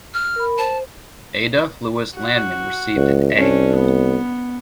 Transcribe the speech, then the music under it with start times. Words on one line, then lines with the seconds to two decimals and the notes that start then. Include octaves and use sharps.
Ada Louise Landman received an A.
0.14 F6
0.36 A#4 B5
0.58 C5 A5
2.16 F#4
2.96 C#2
3.37 C2 C#4 D4
3.76 B3